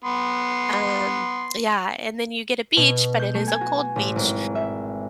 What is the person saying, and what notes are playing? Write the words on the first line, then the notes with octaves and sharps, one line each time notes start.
um, yeah. And then you get a beach, but it is a cold beach,
B3 C6
B2
G6
A3
G#5
F#4
A1
G#1
E5